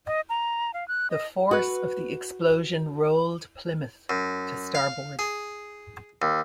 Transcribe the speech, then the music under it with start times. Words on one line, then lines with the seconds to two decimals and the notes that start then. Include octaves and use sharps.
The force of the explosion rolled "Plymouth" to starboard.
0.07 D#5
0.30 A#5
0.74 F5
0.88 F#6
1.10 D#5
1.51 F#4 B4
4.10 F#2
4.75 F5
5.19 G#4
6.22 D#2